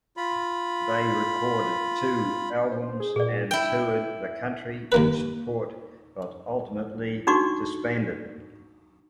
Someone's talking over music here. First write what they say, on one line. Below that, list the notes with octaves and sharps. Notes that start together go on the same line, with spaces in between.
They recorded two albums and toured the country in support but ultimately disbanded.
F4 B5
C5
G#4
A#2 G#4 B4 D5
E4 G5
D#2 A#3 B4
D4 D#4 F#4 C#6 D6